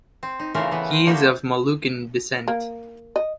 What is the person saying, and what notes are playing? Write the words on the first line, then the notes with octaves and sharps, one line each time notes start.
He is of Moluccan descent.
C4
D#4
C#3 E3 A3 C4 F4 A#4
E3 B3
A#4 C5
F3 G3 A3 A#3 F#4 G4
A#3
D#5